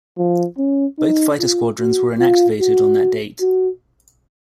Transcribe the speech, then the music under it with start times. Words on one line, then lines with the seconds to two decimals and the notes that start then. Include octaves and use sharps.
Both fighter squadrons were inactivated on that date.
0.17 F3
0.58 C#4
0.99 D#4
1.39 F4
1.79 F#4
2.19 F4
2.60 F#4
3.41 F#4